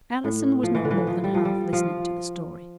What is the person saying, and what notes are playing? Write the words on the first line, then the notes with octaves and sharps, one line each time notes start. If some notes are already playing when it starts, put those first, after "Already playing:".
Allison was not more than half listening to the story.
A2
F3
E3
D3
E3
F3
G3
F3
G3
F3